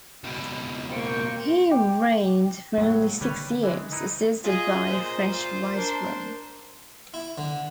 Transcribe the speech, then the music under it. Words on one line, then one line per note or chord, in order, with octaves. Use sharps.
He 'reigned' for only six years, assisted by a French Viceroy.
C#2 B2
A#3 C5 G5 C#6
G4
A2 F#3 G#3 A#3
D3 D#3 G3 B4 C#5
E3 G#3
D#4 E4 B4
F4 G#4 D#5
A#2 C5
F4
D4 A#4 C6
E4
D3